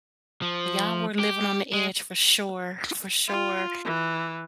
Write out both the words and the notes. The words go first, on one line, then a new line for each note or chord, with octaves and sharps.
Y'all were living on the edge for sure for sure.
F3
G4
G#3
F4
E3